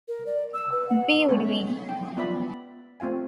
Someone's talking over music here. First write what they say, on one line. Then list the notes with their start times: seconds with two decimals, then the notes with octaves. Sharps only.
B would win.
0.08 A#4
0.26 D5
0.53 E6
0.71 B4
0.89 F#5
1.29 G#3 A3 B3 C#4 A4
1.89 G5
2.17 B3 F4 D5 E5 B5
3.00 A3 C4 F4 F5 G#5